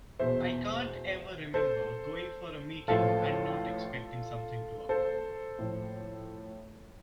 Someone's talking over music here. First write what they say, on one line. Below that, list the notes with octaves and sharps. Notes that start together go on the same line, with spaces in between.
I can't ever remember going for a meeting and not expecting something to occur.
E2 B2 C5 E5
A4 C5
A1 A2 F3 F4 A4
A4 C5
A2 F3